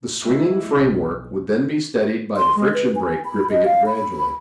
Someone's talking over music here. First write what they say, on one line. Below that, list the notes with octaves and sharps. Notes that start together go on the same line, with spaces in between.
The swinging framework would then be steadied by the friction brake gripping it gradually.
G#3 E4
B1
C6
G#3
B4
G#5
B5
D#5
F5
B5